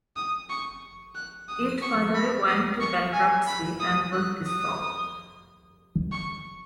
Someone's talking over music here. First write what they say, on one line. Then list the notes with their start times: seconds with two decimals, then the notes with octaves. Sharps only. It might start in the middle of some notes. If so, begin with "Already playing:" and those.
It finally went to bankruptcy and was dissolved.
0.16 D#6
0.49 C#6
1.15 F#6
1.49 D#6
1.82 C#6
2.15 B5
2.48 D#6
2.81 C#6
3.14 G#5
3.47 B5
3.80 D#6
4.13 F#6
4.46 D#6
6.12 C#6